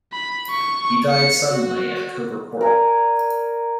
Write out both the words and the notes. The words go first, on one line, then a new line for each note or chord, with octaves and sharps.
He died suddenly at Coker Court.
B5
C#6
C#7
F#4
A#4 D5 G#5